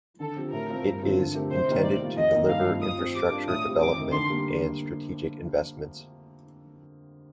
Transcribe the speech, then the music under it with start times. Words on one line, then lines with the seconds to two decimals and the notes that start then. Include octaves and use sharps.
It is intended to deliver infrastructure development and strategic investments.
0.20 D3 A4
0.36 F3 C4 G4
0.52 A2 A#4
0.69 A3 C4 F4
0.86 G2
1.02 D3 F3 C4 F4
1.18 D3
1.35 A3 C4 G4 A#4
1.50 C3 C5
1.67 D#3 A#3 D#4
1.84 A2 D5
2.00 G3 A#3 F4
2.16 F2 D#5
2.32 D#3 A#3 D#4 A#4
2.49 G2 F5
2.66 F3 A3 C4
2.81 F3 D#6
2.99 C4 F4
3.15 G3 D6
3.31 D4 F4 A#4
3.47 A2 D#6
3.64 G3 C4 F4
3.80 F2 D6
3.96 D3 A3 D#4 A#4
4.12 D3 C6
4.30 G3 A#3